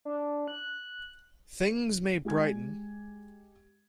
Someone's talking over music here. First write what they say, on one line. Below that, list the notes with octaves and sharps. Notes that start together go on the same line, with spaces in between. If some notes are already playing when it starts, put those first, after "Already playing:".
Things may brighten.
D4
F#6
G#3 G4 G#5 G#6